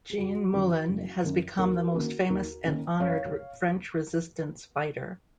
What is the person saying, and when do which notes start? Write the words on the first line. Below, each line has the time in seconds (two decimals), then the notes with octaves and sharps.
Jean Moulin has become the most famous and honored French Resistance fighter.
0.10 G#4
0.18 F#1 F#4
0.53 F#2 D#3
0.89 F#1
1.24 F#2 D#3
1.58 D#2 F#4 A#4
1.94 D#3 A#3 C#4
2.30 D#2
2.65 D#3 A#3 C#4
3.00 F#2 C#5 F5